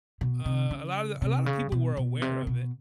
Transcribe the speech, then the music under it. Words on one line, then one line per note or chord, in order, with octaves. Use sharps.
uh, a lotta a lotta people were aware of it,
B2
C3
C#3
C3
C#3
B2
B2
C3
B2